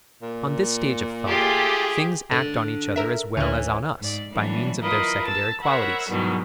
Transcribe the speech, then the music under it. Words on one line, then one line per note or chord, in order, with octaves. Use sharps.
On this stage of thought things act on each other as well as on us by means of their secondary qualities.
A#2
A3 F4 G4 G#4
D3
A#4 E5
D2 E3 C#4
G#2 D5
E3 F#3 G3 A#3 C#4 D4
E4 F4 A#4 B4 D#5
A5 E6
A#4 C5 C#5 E5 F#5 B5
G#2 B2 D#3 E3 F#3 G3